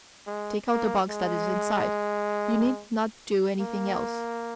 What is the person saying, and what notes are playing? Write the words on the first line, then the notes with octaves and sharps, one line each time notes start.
Take out the box that is inside. You need not do anything else.
G#3
A#3
G#3
A#3